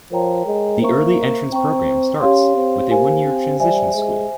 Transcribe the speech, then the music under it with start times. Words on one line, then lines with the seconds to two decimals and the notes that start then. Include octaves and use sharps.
The Early Entrance program starts with a one year Transition School.
0.11 F3 A#4 C#5 G5 A#5
0.46 G#3
0.81 A#3 C5 E5 A#5 C#6
1.51 C4 C5 G5 A#5 C#6
2.20 C#4 G4 C#5 F5 C6
2.55 C4
2.90 A#3 G4 C5 F5 G#5
3.25 C4
3.60 G3 C5 E5 G#5
3.94 G#3